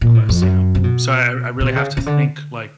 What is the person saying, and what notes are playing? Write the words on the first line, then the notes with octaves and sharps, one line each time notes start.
quests, you know? So I I really have to think, like,
A#2
A2
F2
F#2
C3
B2
B2
C3
C#3
C#3
D3